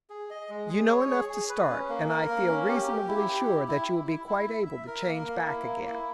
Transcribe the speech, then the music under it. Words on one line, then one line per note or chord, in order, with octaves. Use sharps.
You know enough to start, and I feel reasonably sure that you will be quite able to change back again.
G#4
D#5
G#3
G#4
C#5
G#4
G#4
B4
C#4
A#3
A#4
A#3
C#4
G4
G4
E4
G4
E4
E4
E4
E4
E4
E5
E5
A#4
A#3
A#3
E4
A#3
E4